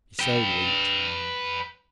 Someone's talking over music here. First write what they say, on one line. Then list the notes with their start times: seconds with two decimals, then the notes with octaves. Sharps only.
He sowed wheat.
0.19 B4 G5